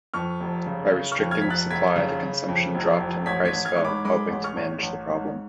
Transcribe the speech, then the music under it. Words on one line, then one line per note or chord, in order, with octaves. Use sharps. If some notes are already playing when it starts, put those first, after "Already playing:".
By restricting supply the consumption dropped and price fell helping to manage the problem.
F2 C#6 F6
F1
C#3
C#3
C#6 F6
F2
F6 G#6
F1 B6
F#6 A6
F1 G#6 B6
C#3
C#3
F2
F1
F2
A1 G#6 B6
G#6 B6
A1
F6 G#6
G#2 C#6
B5 D6
G#3 B5 D6
A1
C#6 F6
A1
A1
G#2